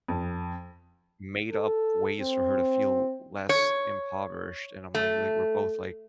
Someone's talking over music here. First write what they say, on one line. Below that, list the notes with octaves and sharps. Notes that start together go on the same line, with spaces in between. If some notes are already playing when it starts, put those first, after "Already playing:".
made-up ways for her to feel less impoverished, and I'm, like like, we're both, like
F2
A4
C4
C#5
A3